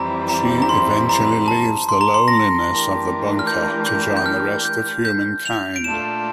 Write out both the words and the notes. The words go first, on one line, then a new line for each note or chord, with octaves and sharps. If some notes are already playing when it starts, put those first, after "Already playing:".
She eventually leaves the loneliness of the bunker to join the rest of humankind.
Already playing: F2 E3 G3 C4 E4 A#5
A#5
A#5
C6
A#5
A5
C6
A#5
C6
A#6
E3 A3 D4 G4 A#4
F6
G6
G6
G6
F6
G6
G6
F7
D7
A#2 A3 D4 F4 A4 E7